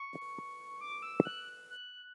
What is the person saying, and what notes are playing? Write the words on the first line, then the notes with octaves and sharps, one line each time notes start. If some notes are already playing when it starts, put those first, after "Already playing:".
He expects them to carry messages for him to their kindred.
Already playing: C#6
D6
E6
F#6
F#6